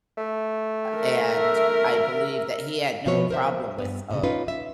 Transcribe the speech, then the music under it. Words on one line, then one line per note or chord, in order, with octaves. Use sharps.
uh, and I believe that he had no problem with, uh
A3
A#4 E5
B2 F3 B3 F#4 B4 C#5
A#4 C5 E5
G2 B3
A#2 C#3
C#4 D#4 F4 B4
E5